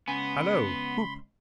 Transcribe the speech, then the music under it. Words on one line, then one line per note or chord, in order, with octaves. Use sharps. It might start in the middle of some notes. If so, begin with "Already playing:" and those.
Hallo! Whoop!
C#2 B3 C#4 G#5 B5 C6